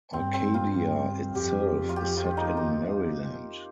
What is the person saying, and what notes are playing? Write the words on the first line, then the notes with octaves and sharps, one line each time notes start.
Arcadia itself is set in Maryland.
G2 C4
C4
F4
F2 G4
F4
G4
F4
D#4
A#3